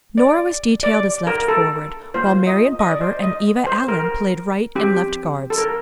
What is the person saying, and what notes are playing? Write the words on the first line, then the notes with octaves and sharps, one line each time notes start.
Nora was detailed as left forward, while Marian Barber and Eva Allen played right and left guards.
D5
D5
A#4
A4
A#3 F4 C5
D#5
D#5
D5
C5
D#5
C5
A#4
C4 G4
A4
A#4